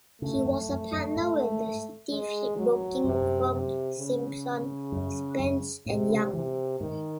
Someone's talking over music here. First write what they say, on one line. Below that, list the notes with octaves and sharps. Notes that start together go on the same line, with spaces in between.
He was a partner with the City shipbroking firm Simpson, Spence and Young.
C#3 A3
G#2
F#2
F#2
F#2
G#2
G#3
F#3
F#2 C3
C3
C#3
F#2
F#2
A2 C3
C#3
C3 E3
G#2 D#3